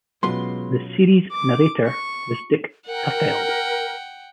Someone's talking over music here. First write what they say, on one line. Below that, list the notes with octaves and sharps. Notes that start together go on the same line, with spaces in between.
The series' narrator was Dick Tufeld.
B2 F#3 G#3 B3 C#4 F4 B4 C6
D6
C#6
A#4 F#5 G5